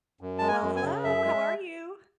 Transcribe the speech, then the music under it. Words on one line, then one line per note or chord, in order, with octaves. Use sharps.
Well, hello. How are you?
F#2
G#3 A5
G#5
F#2
G#5
C#3
F#2 E5
G#3